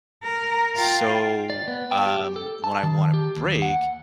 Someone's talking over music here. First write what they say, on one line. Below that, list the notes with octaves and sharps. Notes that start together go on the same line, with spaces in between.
so, um, when I want a break,
A#4
F4 G5
D5
B3
G5
G4
A4
A5
D#3
G4
D#2
F#5